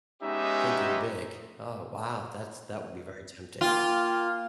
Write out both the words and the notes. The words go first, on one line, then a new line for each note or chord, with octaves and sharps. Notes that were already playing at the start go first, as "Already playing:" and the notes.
thinking big. Oh, wow, that's that would be very tempting.
G#3 B3 C#4 D#4 G4 E5
A#3 F4 G5